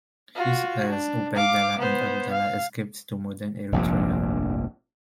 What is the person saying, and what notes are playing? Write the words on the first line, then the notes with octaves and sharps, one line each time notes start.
His heirs Ubaydallah and Abdallah escaped to modern Eritrea.
F4 F#4
D4
F5 D6
B3 C5
F5
F1 A#1 G2